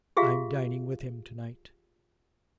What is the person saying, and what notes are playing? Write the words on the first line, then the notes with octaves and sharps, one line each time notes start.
I'm dining with him to-night.'
F4 G4 G#4 E5 F5